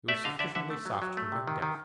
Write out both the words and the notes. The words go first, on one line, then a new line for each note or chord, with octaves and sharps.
It was sufficiently soft to prevent death.
A3 D5 E5
D3 D#5 F5
D3 D5 E5
D3 E5 F#5
A3
F#3
F#3
A3
C3
D#3
D#3